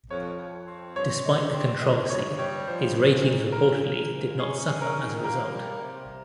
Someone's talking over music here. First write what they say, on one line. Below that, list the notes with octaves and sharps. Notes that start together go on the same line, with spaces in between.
Despite the controversy, his ratings reportedly did not suffer as a result.
F2 C#5
F2
C4
G2 C#5
D#4
C4
G2 D#5
G2 C#5
G3 C#5
F3 C5
A#2
A#2
F3 A#4
A#3
G#2
C#4 G#4
C#4
A#4
D#3
A#3 A#4
G3
C3